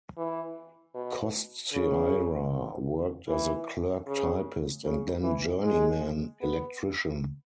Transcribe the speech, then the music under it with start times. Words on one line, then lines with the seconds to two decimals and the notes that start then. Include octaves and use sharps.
Kostyra worked as a clerk-typist and then journeyman electrician.
0.17 E3
0.95 B2
1.73 C#3
3.28 E3
4.07 C#3
4.84 C#3
5.23 E3
5.63 G#3
6.41 B3